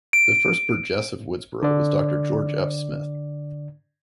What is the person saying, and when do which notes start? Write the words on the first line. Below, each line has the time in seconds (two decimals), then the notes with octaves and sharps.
The first Burgess of Woodsboro was Doctor George F. Smith.
0.13 D7
1.63 D3 D5